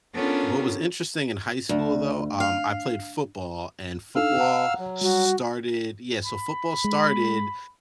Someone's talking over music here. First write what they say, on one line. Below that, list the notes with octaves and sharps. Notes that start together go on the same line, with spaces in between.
what was interesting in high school though, um, I played football and football started yeah, so football started,
B3 C#4 D4 F4 A4 A#4
D2
F5
D4 D#4 A4 F5 E6 F6
F#5 A#5
F#3
G3 F#4
B5
G#3